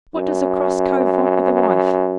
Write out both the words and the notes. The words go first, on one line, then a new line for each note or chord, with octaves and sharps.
What does a cross cove want with a wife?
F#2